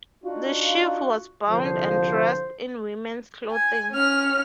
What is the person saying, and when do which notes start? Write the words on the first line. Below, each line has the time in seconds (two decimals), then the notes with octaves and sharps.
The sheaf was bound and dressed in women's clothing.
0.24 D4 D#4 F4 F#4
1.50 C2 D3 F3 C5
3.51 G#5
3.92 C#4 F6